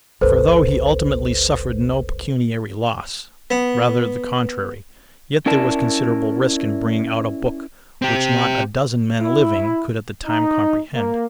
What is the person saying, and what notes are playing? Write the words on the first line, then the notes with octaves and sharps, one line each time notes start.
For though he ultimately suffered no pecuniary loss, rather the contrary, yet there was considerable risk in bringing out a book which not a dozen men living could at the time comprehend.
G1 C#2 A4 B4 C5
B3
C#4 E4 A#4 D5 A5
C4 G4
E4
D#4
A#3